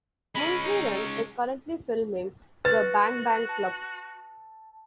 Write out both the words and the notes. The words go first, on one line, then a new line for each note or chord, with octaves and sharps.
Mulheron is currently filming "The Bang Bang Club".
G#3 C#4 B5
D#4
F#4 B4 A6
A5